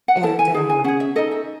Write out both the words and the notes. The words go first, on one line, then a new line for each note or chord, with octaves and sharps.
and, um
F#5
E4 A4 A5
G#5
E4 G#4
G#5
C#4 G#4 F#5
E5
D#4 A4 D#5
E5